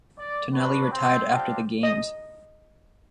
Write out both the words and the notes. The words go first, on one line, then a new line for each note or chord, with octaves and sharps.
Tonelli retired after the Games.
D5
D4 F#4 B4
C4
C4 D4 F4 G4
D#5